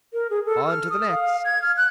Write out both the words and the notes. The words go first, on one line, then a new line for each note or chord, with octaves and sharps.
"On to the next!"
A#4
G#4
A4
F6
D#6
F5
G#6
F6
F#6